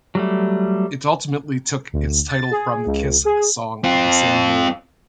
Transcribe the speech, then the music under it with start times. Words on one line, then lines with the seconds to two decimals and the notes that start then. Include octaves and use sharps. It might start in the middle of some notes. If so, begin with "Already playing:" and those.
It ultimately took its title from the Kiss song of the same name.
0.15 F#3 G3 A3
1.93 D2
2.28 A6
2.51 G#4
2.86 C#2
3.25 G#4
3.84 C4 F4